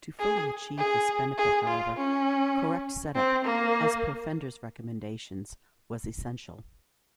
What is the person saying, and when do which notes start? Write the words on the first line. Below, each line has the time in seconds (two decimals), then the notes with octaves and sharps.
To fully achieve this benefit however, correct setup, as per Fender's recommendations, was essential.
0.19 G#4
0.79 G#4
1.38 G#4
1.68 F4
1.97 C#4
3.16 C4
3.45 A#3